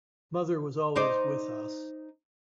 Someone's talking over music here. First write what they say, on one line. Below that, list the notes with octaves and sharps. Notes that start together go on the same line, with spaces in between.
Mother was always with us...
D#4 C5 D5